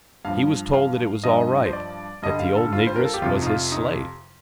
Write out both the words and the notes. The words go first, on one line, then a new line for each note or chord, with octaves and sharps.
He was told that it was all right; that the old negress was his slave.
G2 F3 F5
F5
G2 F3 D#5
C5
D5
G2 D3 G3 D#5
F5
A4
F4
C5
A#4
A4
G4
F2 C3 F3 F4
D#4
F4
D#4